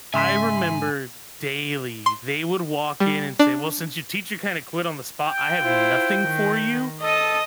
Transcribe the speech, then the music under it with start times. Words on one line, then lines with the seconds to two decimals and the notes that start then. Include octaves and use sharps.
I remember daily, they would walk in and say, "Well, since your teacher kinda quit on the spot, I have nothing for you.
0.14 G#2 C#3 E5 G#5 C6 B6
2.06 C6
3.00 G3
3.39 D4
5.25 G5
5.62 E4 F4 C5
6.19 D#3
7.02 A4 D#5 A5 D#6